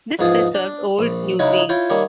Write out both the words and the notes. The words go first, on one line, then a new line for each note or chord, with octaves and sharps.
This preserved old Newfields.
E2 G#2 F3 F4 G#4 D#6
D4
A#1
C#3 F#3 G#3 C#4 D#4 E4
E4 F4 C#5 G5
D#3 G3 A#3 C#5